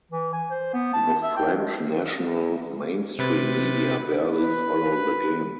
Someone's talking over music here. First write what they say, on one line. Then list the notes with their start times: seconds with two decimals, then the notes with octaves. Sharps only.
The French national mainstream media barely follow the game.
0.11 E3
0.33 G#5
0.50 C5
0.74 B3
0.93 A5
1.23 E5
1.37 G5
1.58 G#3
3.19 C3 B4 A6
4.22 B4